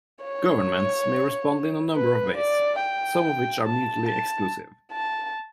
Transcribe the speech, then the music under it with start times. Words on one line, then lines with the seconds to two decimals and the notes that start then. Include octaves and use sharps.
Governments may respond in a number of ways, some of which are mutually exclusive.
0.24 C#5
1.95 B4
2.37 D5
2.80 G5
3.66 A5
4.08 A5
4.93 A5